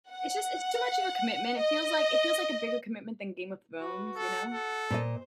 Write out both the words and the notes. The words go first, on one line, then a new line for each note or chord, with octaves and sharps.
It's just it's too much of a commitment, it feels like it feels like a bigger commitment than Game of Thrones, you know?
F#5
D#5
F#4 B4
A4 F#5
A4
A#2 C5 D#5